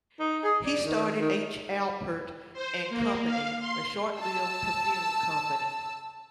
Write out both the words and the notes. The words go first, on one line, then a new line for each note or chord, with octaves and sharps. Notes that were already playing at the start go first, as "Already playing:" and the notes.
He started H. Alpert and Company, a short lived perfume company.
D#4
G#4
D5
D#3
D#3
C5
A#3
F5
C6
A5 E6